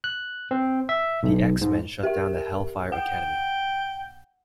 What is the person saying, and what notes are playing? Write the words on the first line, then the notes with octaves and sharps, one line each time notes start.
The X-Men shut down the Hellfire Academy.
F#6
C4
E5
B1
G#2
G4 A#4 E5
F#5 G5